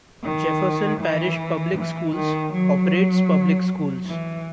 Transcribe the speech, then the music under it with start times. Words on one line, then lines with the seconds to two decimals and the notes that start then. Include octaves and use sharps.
Jefferson Parish Public Schools operates public schools.
0.23 D#3
1.01 E3
1.77 E3
2.15 D#3
2.53 F#3
4.06 E3